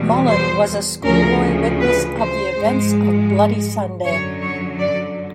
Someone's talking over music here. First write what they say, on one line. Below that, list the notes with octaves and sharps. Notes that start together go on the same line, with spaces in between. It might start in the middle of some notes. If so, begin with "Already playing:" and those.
Mullan was a schoolboy witness of the events of Bloody Sunday.
Already playing: E2 B2 G3
C5
D2 C#3 F3 A#4
B4
C5
G#2 F3 G#3
F#2 D3 F#3 C#5
C#5
D5